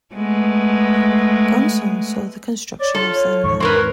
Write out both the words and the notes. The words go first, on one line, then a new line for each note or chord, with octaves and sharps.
Gongsun saw the construction of Xiangyang.
G#3 A3 B3
C#5 D5
F4 A4
E2 G#2 D#3 C#6
C4 A#4 B4 C#5